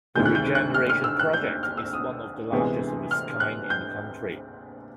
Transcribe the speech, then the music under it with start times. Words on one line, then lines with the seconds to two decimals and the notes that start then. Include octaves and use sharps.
The regeneration project is one of the largest of its kind in the country.
0.15 D2 C3 D#3 G#3 G6
0.25 F#6
0.35 G6
0.55 F#6
0.74 F6
0.89 F6
1.04 E6
1.19 F#6
1.33 G6
1.63 F6
1.77 E6
1.93 D#6
2.52 D2 C3 E3 G#3 B3
3.11 F6
3.40 F#6
3.70 G6